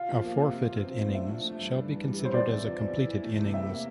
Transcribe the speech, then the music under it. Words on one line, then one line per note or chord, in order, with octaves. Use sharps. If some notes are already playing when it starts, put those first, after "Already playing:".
A forfeited innings shall be considered as a completed innings.
Already playing: F4 F5
F3
A#3
C3
F4
F3
C4
A2
D4 E5
F3
A3
G2
D4
E3
G3
C3
C5
E2 D5
C3
F3
E2
E4
E3
A3
C3
G4 E5
A#3